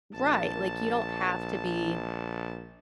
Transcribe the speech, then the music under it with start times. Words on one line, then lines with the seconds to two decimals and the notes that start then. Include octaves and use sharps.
Right. Like, you don't have to be
0.15 A#1 A5